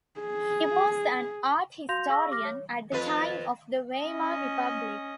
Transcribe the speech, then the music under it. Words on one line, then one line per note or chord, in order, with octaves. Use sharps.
He was an art historian at the time of the Weimar republic.
G#4
F#4 F5 C6 G6 A#6 F7
G#4 F5 C#6 E6 A#6
G4 D6 F6 A#6
C#5
F2 F4 B4
C#4 D#5